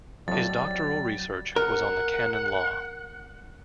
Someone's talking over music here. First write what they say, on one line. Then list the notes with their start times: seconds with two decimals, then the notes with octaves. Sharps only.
His doctoral research was on the Canon Law.
0.28 F2 A2 F#3 G3 A6
1.56 A#4 F#5